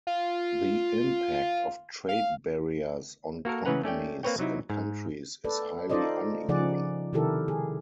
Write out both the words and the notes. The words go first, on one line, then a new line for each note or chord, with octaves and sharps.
The impact of trade barriers on companies and countries is highly uneven.
F4
F5
A#3 F#4 A4 A#4
C#3 E3 C#4 B4 F#5 A#5
A3 C#4 D5 G5
A#3 C4 B4 C#5 G5
C3 F#3 D#4 E4
G#2
A4 B4 D5
D#4 F4 A4 C5 D5 D#5
C#3 F3 D#4 G#4 D5 F#5
C3 D#3 E4 G4 A4 A#4
G#4